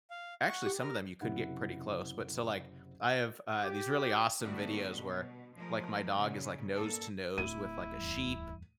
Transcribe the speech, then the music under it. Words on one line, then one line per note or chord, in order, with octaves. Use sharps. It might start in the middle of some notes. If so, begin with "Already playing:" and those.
actually, some of them, you could get pretty close. But so, like, I have, uh, these really awesome videos where, like, my dog is, like, nose to nose with, like, a sheep,
F5
F#5 C#6
G4
A#4 F6
F#1 C3 E4 F#5
G4
A2 D3 G3 A3 B3 F#4
B2
F3 G#3 A3 A#4
A#2 C#3
G2 A#3 A4
D1 E4 D#7
E2 G2